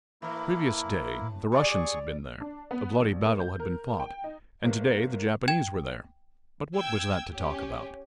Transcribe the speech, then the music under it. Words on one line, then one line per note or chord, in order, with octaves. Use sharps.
The previous day the Russians had been there, a bloody battle had been fought, and to-day the Japanese were there--but what was that to talk about?
A2 E3 A#3 E4
G3 G#4 D5 C#6
D4
B3
A#1
A#3
G6
A#4
G5
D#4
G1 A#3 A#4
G5 G#6 E7
G5 E6 G#6
C#4 G4